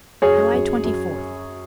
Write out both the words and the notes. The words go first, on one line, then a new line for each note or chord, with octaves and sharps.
July Twenty-fourth.
F#2 G#4 C#5
F#2
F#2